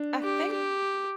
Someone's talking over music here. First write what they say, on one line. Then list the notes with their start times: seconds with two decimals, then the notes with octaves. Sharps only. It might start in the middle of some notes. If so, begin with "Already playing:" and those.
I think
Already playing: D4
0.23 G4
0.52 G4